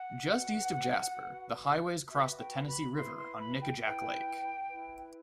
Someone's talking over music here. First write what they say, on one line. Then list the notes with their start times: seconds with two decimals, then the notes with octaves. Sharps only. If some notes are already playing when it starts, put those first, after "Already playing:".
Just east of Jasper, the highways cross the Tennessee River on Nickajack Lake.
Already playing: F#5
0.37 F#4 B4
1.23 F#4 B4
2.10 F#4 B4 E5
2.38 G5
2.68 B5
2.96 E4 B4 C6
3.18 C6
3.40 B5
3.61 G5
3.82 E4 B4 G5
4.69 E4 B4